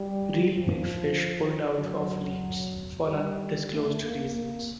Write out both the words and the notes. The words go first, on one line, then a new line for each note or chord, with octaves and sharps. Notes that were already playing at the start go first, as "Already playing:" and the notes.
Reel Big Fish pulled out of Leeds for undisclosed reasons.
Already playing: G3
F3
F#3
G3
A3
A#3
A#3